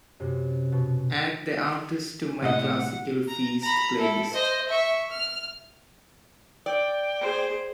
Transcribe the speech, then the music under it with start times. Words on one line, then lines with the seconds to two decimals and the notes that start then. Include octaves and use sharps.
Add the artist to my classical feast playlist.
0.20 F#2 C3
0.72 B2
2.42 C2 A2 D#5 F#5
3.28 A#5
3.62 A#5 B5
3.98 E4 A4
4.33 C5 D#5
4.69 E5 C#6
5.10 F6
6.66 D5 G5
7.21 G#4 C5